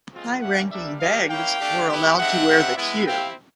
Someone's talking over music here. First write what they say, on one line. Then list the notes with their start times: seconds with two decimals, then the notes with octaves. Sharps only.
High-ranking Begs were allowed to wear the Queue.
0.13 G#3 C4 F4
0.41 G3 A#3 C#4 E5 F#5
0.71 G3 A#3 D4 D5 E5
1.00 A#3 D4 G4 D#5 F5
1.29 A#3 C#4 E4 F5 G5
1.59 A3 D4 G4
1.88 B3 E4 G4
2.17 G#3 C4 D#4 G4 E5 F#5
2.47 G3 C4 D#4 G4
2.76 G#3 B3 E4
3.05 C4 E4 G4 F5 G5